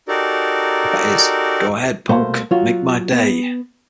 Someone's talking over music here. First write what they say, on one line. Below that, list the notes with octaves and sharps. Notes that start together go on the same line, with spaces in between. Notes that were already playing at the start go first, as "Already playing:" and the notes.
That is, 'Go ahead, punk, make my day'.
D#4 F#4 G4 A4 A#4 D5
C2 B2 A3 A#3 C5
F#3 F4 F#4
B3